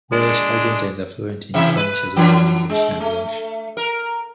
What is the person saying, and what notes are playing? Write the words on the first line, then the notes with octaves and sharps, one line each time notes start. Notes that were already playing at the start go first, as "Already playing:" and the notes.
Welsh-Argentines are fluent in Spanish as well as English and Welsh.
G#3 D4
C3 E3 E5
B4
E3 F#3 D4
G#3
A3
A#4